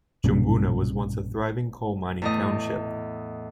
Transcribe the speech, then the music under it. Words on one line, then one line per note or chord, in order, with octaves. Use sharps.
Jumbunna was once a thriving coal mining township.
B1 G2 A#2 C#3
E2 A2 D#5